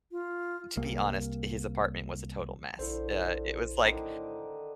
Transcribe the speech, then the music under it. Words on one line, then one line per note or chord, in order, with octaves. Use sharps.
to be honest, his apartment was a total mess. Uh, it was like
F4
C2 A#3
A#1 D3 E4 A4 C5
A2 D3 D#3